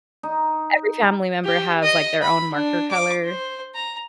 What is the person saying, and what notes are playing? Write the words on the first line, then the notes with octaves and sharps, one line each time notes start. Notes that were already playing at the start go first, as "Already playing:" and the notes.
every family member has, like, their own marker color
D#4
G4
D#5
B5
D4
D6
C5
A#5